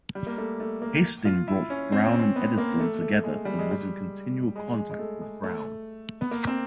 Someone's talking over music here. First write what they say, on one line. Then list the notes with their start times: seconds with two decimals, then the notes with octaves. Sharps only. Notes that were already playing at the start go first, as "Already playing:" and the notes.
Hasting brought Brown and Edison together and was in continual contact with Brown.
0.15 G3
0.27 A#3
0.38 A3
0.60 A3
0.82 A#3
1.25 F4
1.48 E4
1.70 C#4
1.92 C4
1.98 C#4
2.06 C4
2.12 C#4
2.20 C4
2.36 B3
2.58 A#3
2.80 A3
3.02 A3
3.24 G#3
3.45 G3
3.59 G#3
3.71 G3
4.56 G#3
4.77 G#3
4.90 G#3
4.99 A3
5.21 G#3
5.44 A3
6.21 B3
6.31 A#3
6.47 C4